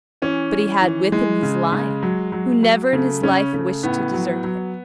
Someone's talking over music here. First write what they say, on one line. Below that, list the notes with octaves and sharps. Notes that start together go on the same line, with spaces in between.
But he had with him his lion, who never in his life wished to desert him.
E3 C#4
E3
E3
E3 G#3
C#3
C#3
F#3
F#3
F#3
C#3 A3
C#3 C#4
C#3 A3
A2 B3
F#3
F#3